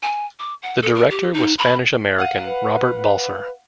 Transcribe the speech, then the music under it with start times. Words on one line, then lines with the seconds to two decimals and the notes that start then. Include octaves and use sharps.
The director was Spanish-American Robert Balser.
0.03 G#5
0.39 D6
0.62 F#5
0.82 A4
0.95 A#4
1.10 G4
1.34 D#4
1.58 B5
2.18 F5 F#5 D#7
2.45 B4